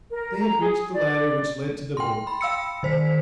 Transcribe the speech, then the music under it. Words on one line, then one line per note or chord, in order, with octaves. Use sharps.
They had reached the ladder which led to the boat.
A#4
A#5
G#4
D5
G5 C6
B5
F5 E6 C#7
D#3 C5 B6